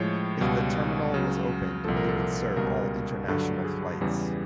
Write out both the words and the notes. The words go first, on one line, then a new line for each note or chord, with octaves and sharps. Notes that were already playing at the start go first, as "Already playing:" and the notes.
If the terminal was opened, it would serve all international flights.
Already playing: A2 F3 G#3 C#5
C#2 B2 G3
C#2 C#3 F#3
C2 A#2 F3 A4
A#4
A4
C#2 B2 G3 A#4
G2 D3 F#3 A4
G#4
E2 C#3 E3 G3